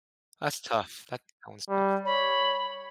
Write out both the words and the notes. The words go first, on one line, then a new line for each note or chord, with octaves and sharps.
That's tough. That sounds tough.
G3
C#5 B5